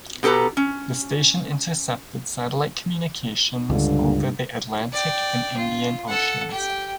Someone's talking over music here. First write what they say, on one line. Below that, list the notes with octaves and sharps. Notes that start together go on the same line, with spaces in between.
The station intercepted satellite communications over the Atlantic and Indian Oceans.
B2 G4 A4 B4 A#5
C#4
C#2 G2 D3
D5 G5
F4
A4 F#5
G4 G5